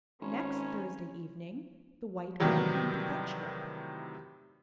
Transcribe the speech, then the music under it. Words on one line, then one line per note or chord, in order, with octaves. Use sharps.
Next Thursday evening the White Bear came to fetch her.
G#1 C#4
A2 C3 D#3 E3 F#3 G3